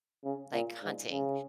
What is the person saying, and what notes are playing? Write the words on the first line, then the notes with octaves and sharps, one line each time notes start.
like, hunting,
C#3
A#2
G#2
C#3